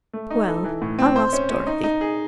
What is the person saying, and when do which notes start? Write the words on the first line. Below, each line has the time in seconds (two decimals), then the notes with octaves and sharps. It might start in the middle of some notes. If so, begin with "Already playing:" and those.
"Well, I'll ask Dorothy."
0.13 A3
0.30 D#4
0.48 A4
0.64 E3
0.82 A2
0.99 C4
1.16 C5
1.33 C#4
1.50 C#4
1.67 D#4
1.84 D#4
2.01 G#4